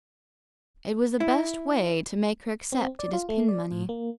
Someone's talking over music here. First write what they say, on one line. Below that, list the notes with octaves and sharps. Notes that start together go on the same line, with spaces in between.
It was the best way to make her accept it as pin- money.
E4
C4
D5
F4
A3
D5
A2
A#3